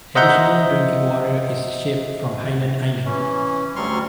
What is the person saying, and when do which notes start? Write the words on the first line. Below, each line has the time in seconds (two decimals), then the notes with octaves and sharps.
Additional drinking water is shipped from Hainan Island.
0.15 C5 D#5 E5 F#5 A#5 G6
3.05 E3 C#4
3.76 D2 F#3 G3 C6 C#6 F6